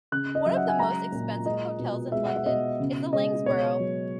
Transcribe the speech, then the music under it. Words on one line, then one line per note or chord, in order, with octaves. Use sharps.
One of the most expensive hotels in London is The Lanesborough.
C#3 F#6
D#5
F#3 E5
F#5
G#5
G#3 A#5
A#2
G#3 D#5
B2
G#3 E5
F#5
E5
B2 D#5
C#3
G#3 D#5
B2 C#5
F#3